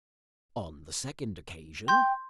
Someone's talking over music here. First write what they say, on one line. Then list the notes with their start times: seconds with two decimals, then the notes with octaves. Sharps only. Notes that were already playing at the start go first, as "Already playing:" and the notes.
"On the second occasion."
1.88 G5 C6 G6